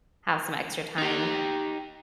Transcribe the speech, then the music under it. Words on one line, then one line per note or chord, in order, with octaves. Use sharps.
have some extra time,
D#4 G4